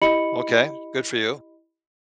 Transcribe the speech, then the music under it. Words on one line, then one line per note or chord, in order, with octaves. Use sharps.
Okay. Good for you.
E4 G4 D#5 B5 C#7 F#7